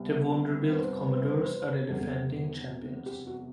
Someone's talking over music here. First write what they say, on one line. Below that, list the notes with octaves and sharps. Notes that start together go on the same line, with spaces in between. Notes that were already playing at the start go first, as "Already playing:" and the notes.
The Vanderbilt Commodores are the defending champions.
Already playing: C2 C3 G3 B3
A4
B4
C5
B4
C5
B4
C5
B4
C5
B4
C5
B4
C5
B4
E1 E2 C3 F#3 B3 A4
G4
F#4